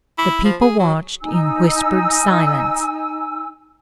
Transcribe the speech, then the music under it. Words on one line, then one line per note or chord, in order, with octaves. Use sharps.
The people watched in whispered silence.
E4
F3
G#4
F#3
D#4 G#5 E6